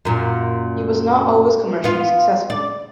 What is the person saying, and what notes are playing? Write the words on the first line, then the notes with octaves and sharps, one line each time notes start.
He was not always commercially successful.
F#2 A#2
B3 F4
D5